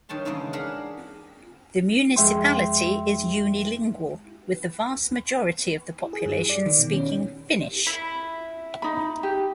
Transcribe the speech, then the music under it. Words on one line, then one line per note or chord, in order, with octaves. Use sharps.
The municipality is unilingual with the vast majority of the population speaking Finnish.
G2 D#3 C#5 A5 C6
G#2 C#3 E3 A#3 D#4
D4 G#4 A#4 F5 F#5 B5
F2 G#3 E5 G5 C6
G#4
G2
D5
D#3
B2
C#4
E4
D#4 B5
G4